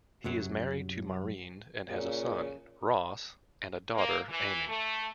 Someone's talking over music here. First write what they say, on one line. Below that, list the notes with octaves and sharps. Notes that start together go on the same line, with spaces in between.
He is married to Maureen and has a son, Ross and a daughter, Amy.
C2 F#2 F#3
A#2 C#3
A#3
E3
A3